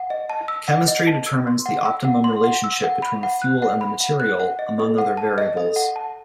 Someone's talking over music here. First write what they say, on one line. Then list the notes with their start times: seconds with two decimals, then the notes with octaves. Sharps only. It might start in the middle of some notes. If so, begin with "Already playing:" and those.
Chemistry determines the optimum relationship between the fuel and the material, among other variables.
Already playing: F#5
0.10 D#5
0.30 A5
0.48 E6
0.68 F#5
0.88 D#5
1.07 A5
1.26 E6
1.47 C6
1.66 F#5
1.86 E6
2.05 F#5
2.24 C6
2.44 F#5
2.64 E6
2.84 F#5
3.02 B5
3.23 F#5
3.42 F#6
3.62 F#5
3.81 B5
4.00 F#5
4.20 F#6
4.40 F#5
4.59 D#5
4.80 A4
4.98 F#5
5.17 A5
5.38 D#5
5.57 A4
5.76 F#5
5.96 A5